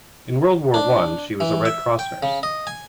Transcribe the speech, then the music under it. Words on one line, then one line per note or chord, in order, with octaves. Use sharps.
In World War One, she was a Red Cross nurse.
D4
E3
E5
G5
C#3
D#5
G#5